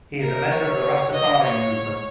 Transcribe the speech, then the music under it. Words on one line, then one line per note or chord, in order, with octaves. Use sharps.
He is a member of the Rastafari movement.
A#4
C#5
D#5
C#5